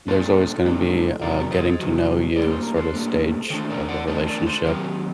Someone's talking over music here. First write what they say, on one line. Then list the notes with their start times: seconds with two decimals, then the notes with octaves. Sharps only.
there's always gonna be a getting to know you sort of stage of a relationship.
0.08 A#2 G3 D4 A4 C5
0.65 A#2 G3 D4
1.22 C3 D#3 F#3 A#4 D5
1.51 C5 D#5
1.79 C3 D#3 F#3
2.36 A2 G3 A#3 D4 D5
2.50 C5
2.63 A#4
2.76 A4 C5
2.94 A2 G3 A#3 D4
3.50 D#3 A3 D4 A4 C5
3.70 A#4 D5
3.89 D5 F#5
4.07 D#3 A3 D4 C5 D#5
4.27 A#4 D5
4.46 A4 C5
4.65 D#3 F#3 C4 G4 A#4
4.84 G4